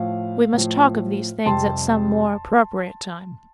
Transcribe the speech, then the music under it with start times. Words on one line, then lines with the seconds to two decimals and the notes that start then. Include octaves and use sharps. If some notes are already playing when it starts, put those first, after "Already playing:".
"We must talk of these things at some more appropriate time."
Already playing: A2 F3 F5
0.53 A2 F3
1.46 F2 C3 G3 A5 C6